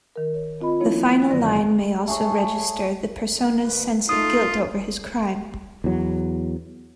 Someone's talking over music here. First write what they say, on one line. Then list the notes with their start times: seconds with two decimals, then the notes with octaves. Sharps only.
The final line may also register the persona's sense of guilt over his crime.
0.16 D#3 A#4
0.35 C#5
0.61 C4 F4 D#5 B5
0.80 F3 A#3 C4 D#4 E4 C#5
1.30 F#2 D3 D#3 F#3 D5 A#6
2.08 A3 G#4 C#5
3.61 D2 A#3 B4
4.09 A3 D#4 F4 D#6
5.84 E2 F#3